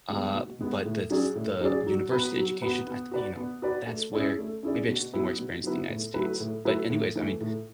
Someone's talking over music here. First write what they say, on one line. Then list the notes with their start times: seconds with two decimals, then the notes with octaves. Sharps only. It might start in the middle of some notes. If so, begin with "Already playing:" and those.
uh, but that's the university education, I thi you know, that's where maybe I just need more experience in the United States, but anyways, I mean,
0.10 G#3 B3
0.34 B2
0.61 G#3 B3
0.85 A2
1.10 F#3 C#4 G#4 D5
1.35 A2
1.61 F#3 C#4 G#4 D5
1.86 F#3
2.11 B3 F#4 B4
2.37 F#3
2.62 B3 F#4 B4
2.87 B3
3.11 F#4 B4 D5
3.37 B3
3.62 F#4 B4 D5
3.87 A3
4.13 C#4 E4 G#4 D5
4.38 A3
4.63 C#4 E4 G#4 D5
4.89 B2
5.14 F#3 B3 E4 B4
5.39 B2
5.64 F#3 B3 E4 B4
5.89 A2
6.14 F#3 A3 E4 B4
6.40 A2
6.65 F#3 A3 E4 B4
6.90 A2
7.15 E3 A3
7.41 A2